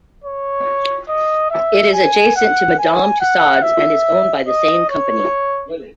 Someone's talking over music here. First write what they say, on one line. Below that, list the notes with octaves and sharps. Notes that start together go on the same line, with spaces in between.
It is adjacent to Madame Tussauds and is owned by the same company.
C#5
D#5
E5
G#5
F#5
G#5
F#5
E5
D#5
C#5